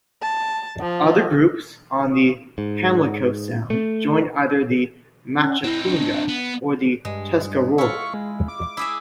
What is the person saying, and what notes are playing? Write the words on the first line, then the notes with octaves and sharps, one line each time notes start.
Other groups on the Pamlico Sound joined either the Machapunga or the Tuscarora.
A5
F3
G#2
A3
C#4
C4 D#4 E4
D4
B3
G2 G#3
E4 F4 C#6
G#3
D6
E4 G#4 E5